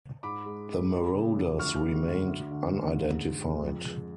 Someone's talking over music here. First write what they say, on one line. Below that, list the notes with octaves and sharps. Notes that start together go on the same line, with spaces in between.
The marauders remained unidentified.
G#2 B5 D6
G#3
G#3
F#3
C#3
F2
D2 C#6 F6
G#3
D2
D2
D3
D2
G#2
G#3
G#3
F2
G#3